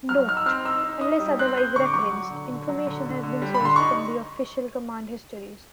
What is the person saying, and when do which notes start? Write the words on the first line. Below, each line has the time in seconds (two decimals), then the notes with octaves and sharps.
Note: unless otherwise referenced, information has been sourced from the official command histories.
0.09 F#3 F6
0.27 D#4 F6
0.37 E6
0.46 C4 F6
0.65 D#4 E6
0.83 D#4
1.01 D#4 D#6
1.20 G3
1.39 C4 F#6
1.58 C4 G6
1.76 D3 C#6
1.85 D6
1.94 F#3 C#6
2.13 F#3
2.30 D3
2.49 D3
2.68 F#3
2.86 D3
3.05 D3
3.23 D3
3.42 G3
3.54 B5
3.60 D3 C6
3.76 D#4 C#6